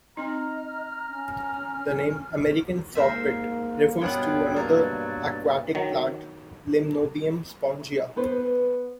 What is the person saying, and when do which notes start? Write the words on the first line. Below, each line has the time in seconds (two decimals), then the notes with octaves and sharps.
The name "American frogbit" refers to another aquatic plant, "Limnobium spongia".
0.17 C4 D#4 D#5 A#5 F6
1.09 C#4
2.95 G#2 A#3 A#4 C5 E5
4.01 G2 B2 B3 D4 F4 C#5 F#5 G5
4.56 F#3 A#3 D5
5.75 D#3 F#3
8.16 B3 B4 C5